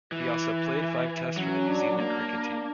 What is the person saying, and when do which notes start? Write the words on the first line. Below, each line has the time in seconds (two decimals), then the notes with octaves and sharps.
He also played five Tests for the New Zealand cricket team.
0.12 E3
1.37 F#3 C#4
1.68 D4
2.00 A#3 D4